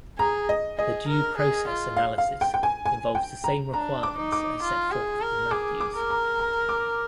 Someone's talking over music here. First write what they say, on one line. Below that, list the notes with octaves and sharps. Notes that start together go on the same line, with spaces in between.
The due process analysis involves the same requirements as set forth in Matthews.
G#4 A#5
D#5
G#4 D#5
A#4
G#4
F4
F5
F5
G5
G5
G#5
G#5
G5
A#5
D4 A#5
D6
D#4
D6
F4
G#4
A#4
G#4 D6
D6
A#4
A#5
A#5
D6